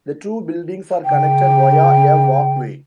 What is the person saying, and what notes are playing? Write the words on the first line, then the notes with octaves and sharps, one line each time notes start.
The two buildings are connected via a walkway.
C#3 G5